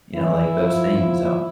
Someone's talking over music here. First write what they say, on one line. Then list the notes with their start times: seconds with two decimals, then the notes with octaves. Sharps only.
you know, like those things, um
0.16 E3 E4
0.57 F3
0.98 F3